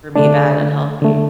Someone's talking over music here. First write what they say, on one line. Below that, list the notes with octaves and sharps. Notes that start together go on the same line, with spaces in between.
for me bad, unhealthy.
D3 A3 D4
D3 A3